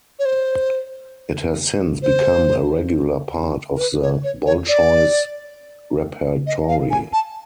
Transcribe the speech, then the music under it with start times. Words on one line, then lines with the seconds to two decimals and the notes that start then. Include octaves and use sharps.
It has since become a regular part of the Bolshoi's repertory.
0.19 C#5
0.25 C5
2.02 C5
3.76 A#4
3.79 B4
4.02 C#5
4.24 C#5
4.46 C#5
4.68 D5
6.47 D#5
6.68 F5
6.90 G#5
7.13 A5